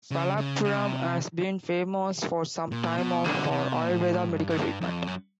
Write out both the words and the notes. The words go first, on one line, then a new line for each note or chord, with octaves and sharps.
Palappuram has been famous for some time for Ayurveda Medical treatment.
C#3
C#3
C#3
C3
A#2
B2
D3
C3
B2
A#2
A2
G2
G#2
G2
F2
F#2